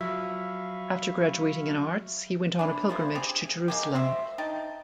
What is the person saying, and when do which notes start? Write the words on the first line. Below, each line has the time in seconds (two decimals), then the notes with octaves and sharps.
After graduating in arts he went on a pilgrimage to Jerusalem.
0.01 F3 F#3 E5 F5 B5 C#6
2.59 E3 D4
2.89 E3 F3 C5
3.15 C4 G4 G#4
3.68 G#3 A#3 G4
3.94 F#4 C5 E5
4.38 D#4 G5 A5